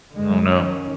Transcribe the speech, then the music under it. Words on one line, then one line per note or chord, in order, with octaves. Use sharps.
Oh, no.
D3 G#3
D#3 C#4